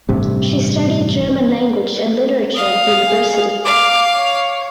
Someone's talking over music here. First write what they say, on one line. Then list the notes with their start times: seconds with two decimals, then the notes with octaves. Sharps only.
She studied German language and literature at university.
0.09 A1 G2 C3
2.56 F5 D#6
3.08 G#4
3.65 F5 D6
4.13 C#5